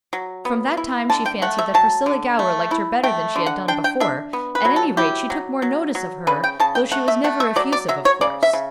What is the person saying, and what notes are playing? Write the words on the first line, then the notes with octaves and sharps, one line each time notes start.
From that time she fancied that Priscilla Gower liked her better than she had done before; at any rate, she took more notice of her, though she was never effusive, of course.
F#3
B3
E4
D3 A5
G5
A3 F#5
E5
F#3 A5
D3
A3
E4
A3 G5
D3
F#5
D4 G5
G5
D4 E5
B3
B4
F#3
A4
E4 G4
F#3
F#3
F#3
C#3 B4
G5
C#3 A5
G5
A3 F#5
E5
A3 F#5
E5
F#3 D5
D5
F#3 E5
C#5
C#3 D5
E5
C#3